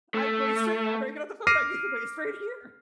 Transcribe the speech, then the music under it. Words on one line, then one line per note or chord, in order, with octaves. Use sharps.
I'm going straight after I get off the phone, I'm go gonna go straight here."
A3
D6 F6 A#6 C7 D#7